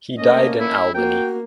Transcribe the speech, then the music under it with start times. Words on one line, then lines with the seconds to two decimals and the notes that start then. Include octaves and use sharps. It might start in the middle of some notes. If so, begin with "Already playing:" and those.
He died in Albany.
0.18 A3 A#3 C#4 D#5
0.60 E4
0.95 A#3 F#4 G5